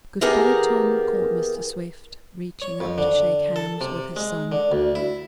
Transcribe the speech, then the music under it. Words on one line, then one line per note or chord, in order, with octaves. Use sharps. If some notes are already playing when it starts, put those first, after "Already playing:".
"Good-by, Tom," called Mr. Swift, reaching up to shake hands with his son.
E3 A#3 B3 G4 G#4 A#4
C#5
F2
D3
A4
C3
G#3
D3
D2
E4